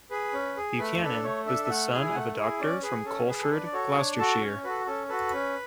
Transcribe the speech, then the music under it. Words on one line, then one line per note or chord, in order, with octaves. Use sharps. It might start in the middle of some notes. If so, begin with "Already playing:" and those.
Buchanan was the son of a doctor from Coleford, Gloucestershire.
G#4 B4
C#4
G#4
A3 B4
D4 A4 B4
A3 C#5
D4 A4 E5
E5
A3 F#5
E4 G#4 G#5
G#5
A3 F#5
E4 G#4
C#4 D5
G#4 B4
C#4 A4
G#4 B4
A4
D4 B4
D5
F#4 A4 C#5
D4 C#5
F#4 A4 A5
C#4 C#5
F#4 A4 B4
C#4 A4
F#4 A4 B4
C#4